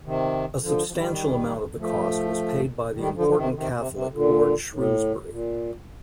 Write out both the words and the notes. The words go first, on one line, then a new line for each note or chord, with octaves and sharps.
A substantial amount of the cost was paid by the important Catholic Lord Shrewsbury.
C3 D#3
D3 F3
F3
D#3 G3
F3 A3
D#3 G3
D3 F3
F3
C3 D#3
D3
C3 D#3
C3
C3
A#2 D3
A2
A#2